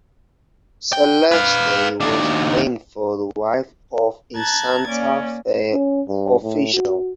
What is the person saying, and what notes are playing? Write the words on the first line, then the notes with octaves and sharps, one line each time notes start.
Celeste was named for the wife of a Santa Fe official.
G5
B4 F5
D#2 D4
A5 A#5 F#6 G#6 A6
A#3 C#4 D5
C#4
G2
A2
F#4